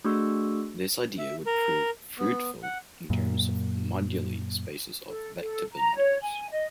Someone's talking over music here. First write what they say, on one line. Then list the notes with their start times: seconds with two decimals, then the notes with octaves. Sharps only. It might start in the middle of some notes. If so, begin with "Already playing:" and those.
This idea would prove fruitful, in terms of moduli spaces of vector bundles.
0.05 A3 D4 F#4 G#4 C#6 E6
1.18 E5
1.46 A#4
2.18 B3
2.63 F#5
3.10 F#2 A#2
5.06 A4
5.39 A4
5.72 A#5
5.94 C#5
6.22 G#5
6.50 D#5